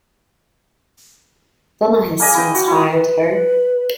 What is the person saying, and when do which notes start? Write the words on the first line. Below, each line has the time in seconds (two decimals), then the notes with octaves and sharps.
Donna has since fired her.
2.20 A#3 G#4 D#5 G#5
2.35 E4 G5
2.55 F#4
2.68 E4 D#6
2.91 B4